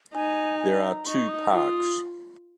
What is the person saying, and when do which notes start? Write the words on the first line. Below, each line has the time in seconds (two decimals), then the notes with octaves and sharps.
There are two parks.
0.14 D#4 G#5
0.60 G#5
0.84 A#5
1.06 D#4 C#6
1.29 D#6
1.51 F4 D#6